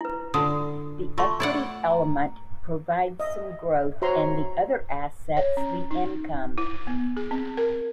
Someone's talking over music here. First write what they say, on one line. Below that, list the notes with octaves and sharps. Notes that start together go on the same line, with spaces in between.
The equity element provides some growth and the other assets the income.
E4 B4
D3 F4 D#6
A3 F4 C6 C#6
E4 D5 F#5
A#5
D#5 E5
F#4 C5 C#5 E5 A#5 C6
C#5
C#4
D#4
E4
B3
G#4
C4
A#4